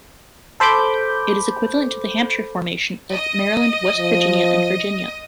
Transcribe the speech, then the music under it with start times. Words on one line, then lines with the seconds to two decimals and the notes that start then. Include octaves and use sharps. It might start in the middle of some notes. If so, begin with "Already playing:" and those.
It is equivalent to the Hampshire Formation of Maryland, West Virginia, and Virginia.
0.60 A4 C5 B5 D6 G6
3.13 D#5
3.97 F3